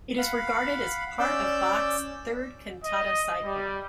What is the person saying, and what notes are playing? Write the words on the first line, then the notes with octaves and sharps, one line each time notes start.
It is regarded as part of Bach's third cantata cycle.
F5 F#5 B5
C#4 D5 D6 E6 G6
D#5
G3